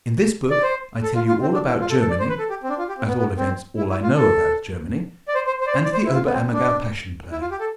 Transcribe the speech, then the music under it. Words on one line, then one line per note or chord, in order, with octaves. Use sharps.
In this book I tell you all about Germany--at all events, all I know about Germany--and the Ober-Ammergau Passion Play.
D5
C5
A4
F4
F4
C4
D4
E4
F4
A4
A4
D5
C5
B4
A4
G4
C4
D4
F4
G4
C4
B3
B3
C4
E4
E4
F4
A4
D5
C5
C5
C5
D5
C5
D5
C5
E4
F4
B3
C4
D4
E4
F4
G4
A4